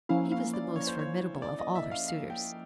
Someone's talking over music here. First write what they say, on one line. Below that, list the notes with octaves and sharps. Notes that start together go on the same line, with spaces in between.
He was the most formidable of all her suitors.
F3 A#3 C#4 E4 F5
F5
D5
C#5
C5
C#5
D5
D#5
E5
F5
F5
G5